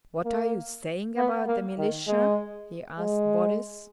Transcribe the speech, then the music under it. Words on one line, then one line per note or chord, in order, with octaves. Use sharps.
"What are you saying about the militia?" he asked Boris.
A#3
B3
A#3
D#3
G#3
G#3